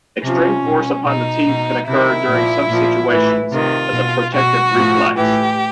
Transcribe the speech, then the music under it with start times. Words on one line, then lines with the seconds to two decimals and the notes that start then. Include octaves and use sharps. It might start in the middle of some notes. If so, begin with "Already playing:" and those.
Extreme force upon the teeth can occur during some situations as a protective reflex.
0.23 C3 F3 C#4
0.65 B2
1.05 B2 D#4
1.47 B2
1.87 C3 D#3 E4
2.28 A#2 F3
2.69 A#2 F3
3.11 A2 E3
3.52 C3 D#3 F4
3.93 B2
4.34 B2 F#4
4.76 A2 F3
5.16 A2 E3 G4